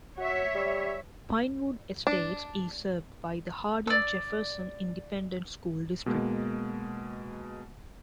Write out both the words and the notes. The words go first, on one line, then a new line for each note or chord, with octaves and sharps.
Pinewood Estates is served by the Hardin-Jefferson Independent School District.
F#4 C#5 E5
G3
D4
D5 E6
B2 G#3 A#3